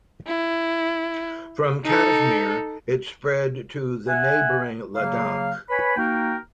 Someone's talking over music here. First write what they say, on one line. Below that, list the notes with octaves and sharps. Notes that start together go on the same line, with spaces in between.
From Kashmir, it spread to the neighbouring Ladakh.
E4
D#4 A4
E5 F#5 G#5
C#3 F#3 A#3 F5
B4 C#5 G#5 B5
A#3 D#4 F#4 A#4 G5